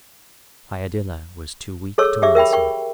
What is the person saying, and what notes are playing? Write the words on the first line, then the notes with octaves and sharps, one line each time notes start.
Iadilla was too weak to answer.
G#4 A4 C#5 C#6 E6
G4 G#4 E5 D6
A#4 E5 G5 B5
G5 C#6